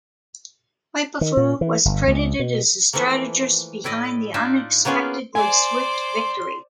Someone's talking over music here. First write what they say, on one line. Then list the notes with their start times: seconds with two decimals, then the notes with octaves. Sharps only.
Wu Peifu was credited as the strategist behind the unexpectedly swift victory.
1.21 D#3
1.37 A#2
1.61 E3
1.85 G1
2.07 C#2
2.39 B2
2.93 E3 F3 A3 A#3
3.84 A2 E4 D5 D#5
4.34 D4 D#4 F4 D5 E5
4.85 A#3 B3 C#4 F4 G#4
5.35 C5 D5 G#5 C6